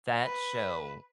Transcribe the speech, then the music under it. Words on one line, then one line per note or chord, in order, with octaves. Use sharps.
That show,
B4